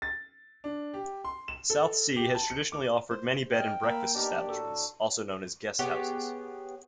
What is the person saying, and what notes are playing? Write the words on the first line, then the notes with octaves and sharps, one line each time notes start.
Southsea has traditionally offered many bed and breakfast establishments, also known as guest houses.
A6
D4
G4
C6
E7
A4
G4
A5
C#7
D6
C5
D#5 G5 F6
A#3 F5 A#5 B5 E6
B3 D4 D#4 G4 A#4
A2 F#4 A4
B3 G4 G#4 C#5